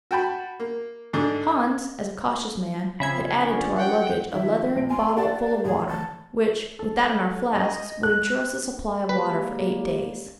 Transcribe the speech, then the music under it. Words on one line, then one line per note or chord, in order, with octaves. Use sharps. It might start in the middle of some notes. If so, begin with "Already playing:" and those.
Hans, as a cautious man, had added to our luggage a leathern bottle full of water, which, with that in our flasks, would ensure us a supply of water for eight days.
F#4 G5 A5 B5
A#3
G#2 D3 D4
C#3 F3 C4 E5 B5 G#6
F3 C#4 D4
F#5 G5
D#3 F3 E5
A#1 D7
G#5 C6
G4 D5 F#5 A5
E2 A2 G#4
A5
A4
D#5
F#6
G3 G#3 A#3 G4 B4